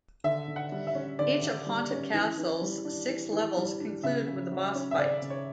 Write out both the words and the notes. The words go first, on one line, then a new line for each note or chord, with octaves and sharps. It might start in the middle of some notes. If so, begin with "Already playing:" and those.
Each of "Haunted Castle"'s six levels conclude with a boss fight.
D3 E5
D3
F#5
G3
E5
C#4
D3 D5
D3
G3
C#4
E3
E3
G3
D4
E3
E3
G3
D4
C#3 E5
C#3
F#3
C#4
E5
C#3 D5
C#3
C#5